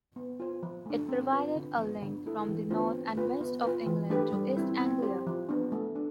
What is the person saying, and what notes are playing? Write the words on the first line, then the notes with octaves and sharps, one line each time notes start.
It provided a link from the north and west of England to East Anglia.
B3
F4 C5
F3
A3 D4
C4
F4 B4
D3
F3 B3
D3
A3 E4 A4
E3
B3 D4 F4 C5
C4
F4 B4
B3
F4 B4
E3
A3 D4 G4 B4
G3
C4 E4
C4
G4 C5
F3
B3 D4
A3
D4